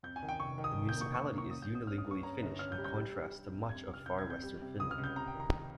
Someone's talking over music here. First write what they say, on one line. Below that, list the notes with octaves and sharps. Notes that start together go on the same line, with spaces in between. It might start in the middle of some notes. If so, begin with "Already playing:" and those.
The municipality is unilingually Finnish in contrast to much of far-western Finland.
F2 G6
G#5
D#3
G5
F1 C#6
D#3
D#6
F1
G6
A#3
C#6
F1 C#6
A#3
C#6
C#4 D#6
G6
C#4
D#6
C#4 F6
D#6
G2
C#6
C#4 A#5
G1
C#4 F6
G6
G3
G6
G3
G3
G3
F2
F2 G#6
C3
F6
F2 G6
G#6
F2
G6
G3
C3
C#2 D#6
F6
C#2
G6
C3 A#5
G5
D#3
A#5
D#3